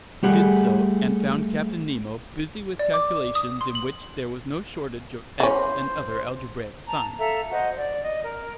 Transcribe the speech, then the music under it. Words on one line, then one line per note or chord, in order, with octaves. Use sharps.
I did so and found Captain Nemo busy with calculations in which there was no shortage of X and other algebraic signs.
G3 A3 G4 G#4 F#5
D5
D6
D#6
C6
F#7
E3 C#4 C5
A5 A#5
A4 E5 F5 A#5
F#4 C5 D#5 F#5
D5
D#5
A#4